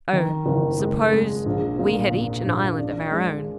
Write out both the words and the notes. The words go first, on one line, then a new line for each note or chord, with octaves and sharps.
Oh! suppose we had each an island of our own.'
D#3
F#1
G#3
G#3
A#1
A#2
A#2
A#1
D4
G#3